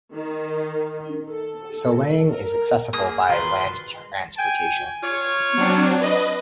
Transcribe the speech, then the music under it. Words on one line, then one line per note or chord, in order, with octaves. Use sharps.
Silang is accessible by land transportation.
D#3
A4
A#4
A#3 G#4 D#6
G#1 D#3 F4 B4 C6
G5 G#5
F4 C#5
F#3 C4 D4
B4 D#5